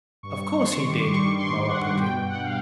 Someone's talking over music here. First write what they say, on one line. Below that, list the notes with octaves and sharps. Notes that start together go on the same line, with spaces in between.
"Of course he did," Moa put in.
G2 C#6
C#6
G2
C6
C#6
D#3
D6
C6
G3 C#6
G2 C6
G2 F#5
B2 G5
B2 F#5
F5